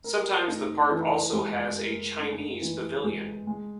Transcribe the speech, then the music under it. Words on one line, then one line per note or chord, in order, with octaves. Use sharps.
Sometimes the park also has a "Chinese" pavilion.
A#4
D#4
E3
G#3
A#4
D#4
E3
G#3
G#3